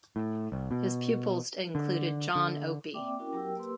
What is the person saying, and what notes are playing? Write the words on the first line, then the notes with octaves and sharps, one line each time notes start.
His pupils included John Opie.
A2
C2
B2
D3
D3
A#3 C4 D5 E5 G5 D6
C#4 E4 F#4 A#4 G5 D6
F#3 B3 G4 A#4 G5 E6
A#3 G4 A#4 B4 C6 E6